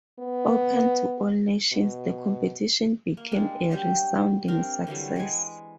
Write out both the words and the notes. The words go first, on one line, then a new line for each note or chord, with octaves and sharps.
Open to all nations the competition became a resounding success.
B3
B2
A#3
G3 G#3 D4
F#3 G3 G4 G5
C4 D4 A#4
D3 E3 F#3 G3
E3 G#3 G#5